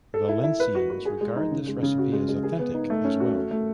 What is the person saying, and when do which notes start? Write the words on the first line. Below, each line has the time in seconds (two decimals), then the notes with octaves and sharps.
Valencians regard this recipe as authentic, as well.
0.14 A4
0.29 E4
0.44 E4
0.60 B4
0.75 F#4
0.90 F#4
1.05 G#4
1.21 G#3
1.36 D#4
1.51 C#3
1.67 G#3
1.82 C#3
1.98 F#4
2.13 G#3
2.28 G#3
2.43 G#4
2.59 B3
2.74 D#4
2.90 A3
3.04 C#4
3.20 F#4
3.36 A3
3.51 A3